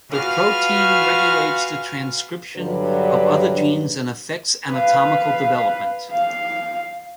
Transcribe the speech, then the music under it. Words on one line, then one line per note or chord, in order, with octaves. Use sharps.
The protein regulates the transcription of other genes and affects anatomical development.
F4 F#4 B4 F5 G#5 F6
G2 D3 F#3 D4 B4
B4 F5
F5